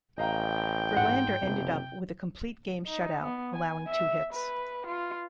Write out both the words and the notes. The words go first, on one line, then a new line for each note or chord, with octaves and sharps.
Verlander ended up with a complete game shutout allowing two hits.
A1 D#5 F5 G5 A#5
G#2 F#5
F#1 C3
D#4
B3
G#5
E5
B4
F4